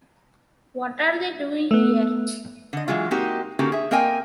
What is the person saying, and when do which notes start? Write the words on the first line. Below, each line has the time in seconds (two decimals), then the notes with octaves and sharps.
What are they doing here?
1.71 A3 B3
2.73 D3 D#5
2.88 E3 F#3 G#3 F4
3.11 G#3 A#3 C4 D#4 F#4 G4
3.59 D3 A#3 C#4 D#4 F#4 G4
3.72 G#4 E5
3.91 A#3 C4 A#4 D#5 G5 G#5